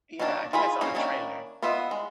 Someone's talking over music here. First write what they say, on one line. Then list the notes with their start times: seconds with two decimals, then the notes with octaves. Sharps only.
Yeah, I think I saw the trailer.
0.19 D#3 F#3 A#3 D4 A5
0.53 F4 G#4 G#5 B5
0.81 F#3 A#3 C#4 D4 G#4
0.95 D#3 A#3 C#4 D4 E4
1.63 B3 F4 D#5 E5
1.91 G#3